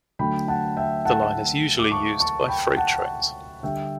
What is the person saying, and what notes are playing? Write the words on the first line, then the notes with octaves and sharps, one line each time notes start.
The line is usually used by freight trains.
D3 F#3 A3 G5 B5
F#5 A5
E5 G5
F#5 A5
D6
A5 C#6
A5 C#6
G5 B5
F#5 A5
D3 G3 E5 G5